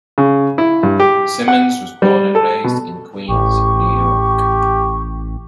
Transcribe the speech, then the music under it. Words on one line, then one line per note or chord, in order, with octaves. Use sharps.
Simmons was born and raised in Queens, New York.
C#3
E4
G2
G4
F#5
G3
A4
B2
A1 G4 C#6